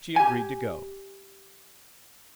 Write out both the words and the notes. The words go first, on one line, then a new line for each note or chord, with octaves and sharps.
She agreed to go.
G4 G#5